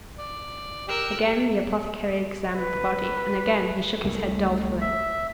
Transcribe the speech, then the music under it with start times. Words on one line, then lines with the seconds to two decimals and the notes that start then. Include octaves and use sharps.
Again the apothecary examined the body, and again he shook his head dolefully.
0.18 D5
0.88 G4 A#4 E6 F#6
2.57 B4
4.04 C2 A3 A#3
4.81 E5